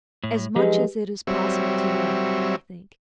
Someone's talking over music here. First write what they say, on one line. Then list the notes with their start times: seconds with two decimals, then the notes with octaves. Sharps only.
"As much as it is possible to love, I think."
0.24 A2
0.56 F3 F#3 G#3 D#4 G4 B4
1.27 F#3 G3 C4 C#5 E5